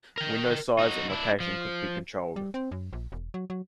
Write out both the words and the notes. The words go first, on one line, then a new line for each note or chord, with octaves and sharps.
Window size and location could be controlled.
A#4 G5
D#4 F#4
D4 E4
F3
G3
C4
F#2
A#1
E1
F#3
F#3